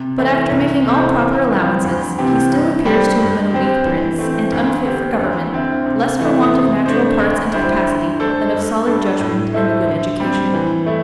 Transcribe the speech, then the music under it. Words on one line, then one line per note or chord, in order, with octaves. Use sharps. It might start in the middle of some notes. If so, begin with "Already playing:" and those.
But after making all proper allowances, he still appears to have been a weak prince, and unfit for government, less for want of natural parts and capacity, than of solid judgment and a good education.
Already playing: C3
E3 A3 E4
C2
C3 A3 E4 C5
E3
G3 C4 G4
D2
C3 E3 C4 G4
G2
G3 D4 G4 C5
G2
D3 C4 G4 C5
E3
A3 C4
D2
D3 C4 G4
D2
D3 C4 E4
C3
E3 A3 E4
C3
A3 D4 C5
D2
D3 G3 E4 C5
D3
A3 D4 A4 C5
G2
G3 D4 A4
A2
A3 E4 A4 C5
D3
G3 C4
E3
A3 E4